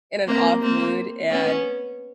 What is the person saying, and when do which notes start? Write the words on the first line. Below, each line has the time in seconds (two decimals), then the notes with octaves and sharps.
in an off-mood, and
0.27 A#3 C4
0.61 A#3 C4
1.29 B3 C#4